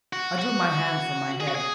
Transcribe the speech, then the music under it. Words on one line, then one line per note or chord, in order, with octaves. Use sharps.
I drew my hand from my head.
F#4
F#4
G#4
F#4
G#4